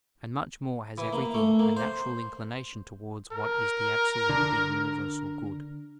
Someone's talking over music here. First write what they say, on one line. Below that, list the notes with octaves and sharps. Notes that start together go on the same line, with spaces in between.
And much more has everything a natural inclination towards what is the absolutely universal good.
E3
A#3
A3
A#3
C5
A#4
D3